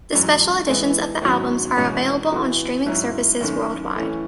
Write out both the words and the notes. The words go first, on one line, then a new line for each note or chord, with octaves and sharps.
The special editions of the albums are available on streaming services worldwide.
A1 G#2 F#3 C#4
A1 A2 E3 G#3 B3
G#1 G#2 F#3 C#4 F#4
E2 B2 G#3 C#4
A2 E3 B3 F#4
G#2 F#3 C#4 E4
F#1 F#2 D#3 A3 C#4
A2 E3 A3 C#4